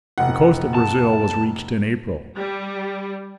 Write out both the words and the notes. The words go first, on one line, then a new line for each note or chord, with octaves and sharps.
The coast of Brazil was reached in April.
F1 F#5
A5
G3